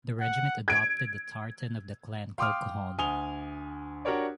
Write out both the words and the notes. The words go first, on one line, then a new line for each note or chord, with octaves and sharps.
The regiment adopted the tartan of the Clan Colquhoun.
F#5
G#6 D7
F5 G5 C6 D6 D#6 F6
D2 G#5 D#6 F7 G7
D4 F#4 G4 A#4 C#5 D5